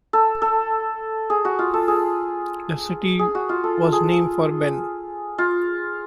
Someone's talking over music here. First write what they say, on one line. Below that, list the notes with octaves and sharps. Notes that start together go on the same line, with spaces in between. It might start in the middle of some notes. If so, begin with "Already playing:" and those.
The city was named for Ben.
A4
A4
G#4
F#4
F4
A4
G#4
G#4
F#4
F4
A4
G#4
F4